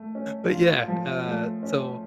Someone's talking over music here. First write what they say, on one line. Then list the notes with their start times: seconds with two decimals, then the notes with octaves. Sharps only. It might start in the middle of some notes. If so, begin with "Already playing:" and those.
but yeah, uh, so,
Already playing: A3
0.15 C#4
0.51 F4
0.88 F3
1.26 A3
1.63 C#4